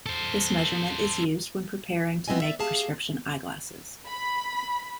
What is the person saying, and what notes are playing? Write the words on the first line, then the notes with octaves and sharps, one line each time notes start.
This measurement is used when preparing to make prescription eyeglasses.
A4 C5
B3 C4 E4 D#5 G#5
D5 E5
G4 G#4 F5 A5
B5